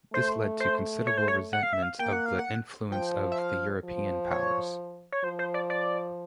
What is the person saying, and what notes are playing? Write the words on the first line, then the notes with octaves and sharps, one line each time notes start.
This led to considerable resentment of the influence of the European powers.
A3 C5
C5
C#5
C5
C#5
F#5
F5
E5
F5
A#3 G5
F#5
F5
F#5
F3 G5
E5
F5
F3
C#5
C#5
F3 C5
C5
D5
D5